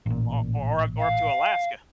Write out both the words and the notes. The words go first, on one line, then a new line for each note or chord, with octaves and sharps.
Or or or or up to Alaska.
A1 A#2
F5